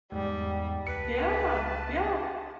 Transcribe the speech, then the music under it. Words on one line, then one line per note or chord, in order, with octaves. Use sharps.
Yeah, yeah.
E2 G#2 G3
C#2 B4 A5 C#7